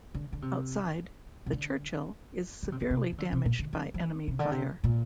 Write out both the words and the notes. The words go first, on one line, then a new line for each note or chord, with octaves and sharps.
Outside, the "Churchill" is severely damaged by enemy fire.
D3
D3
C3
C3
D3
D3
C3
D3
C3
E3
D3
C3
A#2
D3
F3
F3
E3
C3
D3
C3
A#2